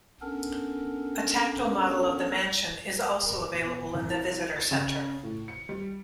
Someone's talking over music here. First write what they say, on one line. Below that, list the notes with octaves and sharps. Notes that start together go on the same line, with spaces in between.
A tactile model of the Mansion is also available in the Visitor Center.
B3 C#4 D4 A4 A#4
A#4
B2
C2
A6
C#3
A2
C#7
G3